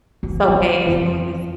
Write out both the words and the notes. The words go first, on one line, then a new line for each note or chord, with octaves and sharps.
it's okay as long as
E3
B3
F2